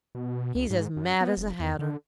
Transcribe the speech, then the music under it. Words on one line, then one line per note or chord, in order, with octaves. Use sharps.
He's as mad as a hatter.'
B2
C#2
G#2
F#2
B3
F1
E2
D3